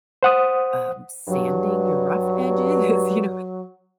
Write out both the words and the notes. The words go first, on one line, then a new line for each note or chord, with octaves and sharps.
um, sanding your rough edges, you know,
C5 F#5 D#6
G2 F#3